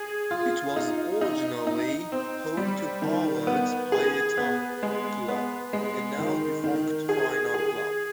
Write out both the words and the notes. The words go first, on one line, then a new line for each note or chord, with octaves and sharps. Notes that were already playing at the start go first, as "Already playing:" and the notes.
It was originally home to Harvard's Pi Eta Club, a now defunct final club.
Already playing: G#4
F4
D#4
D#4
D#4
C4
G3
D#3
B3
G#4
B3
G#3
B3
G#3
D#3
D#3
G#4
G#4